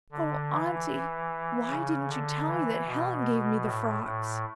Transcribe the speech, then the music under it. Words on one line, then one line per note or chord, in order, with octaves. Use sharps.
"Oh, Auntie! why didn't you tell me that Helen gave me the frocks?"
D3
E3
C#3
D3
E3
B2
A2
A2